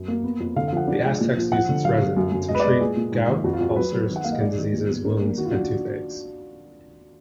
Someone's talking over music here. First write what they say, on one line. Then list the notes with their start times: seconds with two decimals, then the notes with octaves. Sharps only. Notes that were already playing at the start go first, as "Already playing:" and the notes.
The Aztecs used its resin to treat gout, ulcers, skin diseases, wounds, and toothaches.
Already playing: F#2
0.08 A#3
0.23 B3
0.40 F2
0.56 D3 F5
0.68 F5
0.73 F3 F#5
0.88 D4
1.05 G#3
1.20 A#2
1.36 F3
1.52 F3 F#5
1.69 D3
1.85 F#3 F5
2.00 D3
2.17 F#2
2.32 F#2
2.49 G#3 D#5
2.55 B4
2.60 G#3 D5
2.70 B4
2.81 A#2 G#4
2.97 A#2
3.12 G#2
3.28 D#3
3.44 F2 F#4
3.53 F4
3.61 F2 F#4
3.69 G#4
3.76 F#3 B4
3.93 F#3
4.09 D#3
4.16 F#5
4.24 A#3 F5
4.32 D#5
4.40 G#3 D5
4.58 D#3
4.73 A#2
4.88 B3
5.05 D4 A#4
5.21 A#3
5.37 D#3 F#4
5.45 F4
5.53 D4 F#4